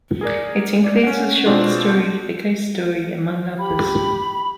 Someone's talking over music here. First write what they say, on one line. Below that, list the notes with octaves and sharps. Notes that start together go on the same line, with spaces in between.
It includes the short story "A Ghost Story", among others.
G#4 A#4 D5
D5
C#4 F#5
B2 C4 D4 F4
G4 B5